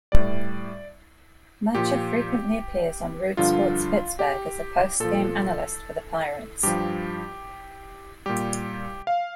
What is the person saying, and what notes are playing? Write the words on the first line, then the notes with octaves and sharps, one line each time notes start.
Macha frequently appears on Root Sports Pittsburgh as a postgame analyst for the Pirates.
A2 G3 D5
A#2 F3 G4
G2 D3 F3 F4
G4
A#2 F3 A4
G2 F3 G4
A#2 G3 G4
F5